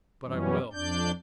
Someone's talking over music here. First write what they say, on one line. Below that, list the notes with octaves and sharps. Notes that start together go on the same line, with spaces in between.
But I will.
F#2 B2 E3 G3 C#4
F2 D4 D5 G6